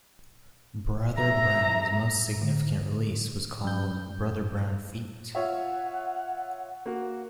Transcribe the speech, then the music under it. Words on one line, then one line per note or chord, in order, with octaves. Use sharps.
Brother Brown's most significant release was called Brother Brown feat.
E5 A#5
D3
F#2 G6
F4 C#5 E5 F#5
A#3 F#4